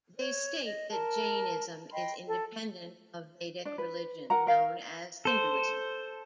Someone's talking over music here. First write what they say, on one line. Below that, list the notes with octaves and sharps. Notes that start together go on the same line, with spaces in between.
They state that "Jainism is independent of Vedic religion, known as 'Hinduism'".
C#5
D#5
A#4 A5
D#5 G5 B5 C6
A4
D4
B4
A#4 F#5 A#5
A#4 F5
A4 C5